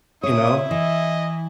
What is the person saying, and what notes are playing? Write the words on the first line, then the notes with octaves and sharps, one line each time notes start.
you know?
E4 C#5 D#6
E3 D#5